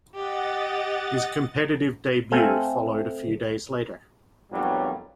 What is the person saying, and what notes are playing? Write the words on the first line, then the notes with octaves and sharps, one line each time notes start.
His competitive debut followed a few days later.
G4 D#5 F#5 A6
A3 C4 A4 F5 G#5
B1 F2 A#2 F#3 G3